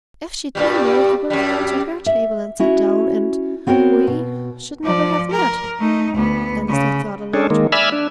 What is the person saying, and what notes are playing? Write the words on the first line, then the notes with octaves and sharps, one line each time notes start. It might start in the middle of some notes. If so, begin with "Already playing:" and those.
"If she'd been there, you would have gone to her table and sat down, and we--should never have met!" Annesley thought aloud.
G2 A#2 G3
F#2 G3
E5
C#4 E4 F#4
B3 C4 F#4 A#4 C#5
B2
F3 D5
A#4
A3 D#4
D2 B3
C#3
C#4 D4 G#4 A4
D#3 G#3 A#3
D5 E5 G#5 B5 E6 F6
D4